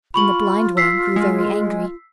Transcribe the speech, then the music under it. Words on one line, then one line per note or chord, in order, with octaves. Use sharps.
Then the Blindworm grew very angry.
F4 B5 C#6 F#7
E6 B6 C7
G#3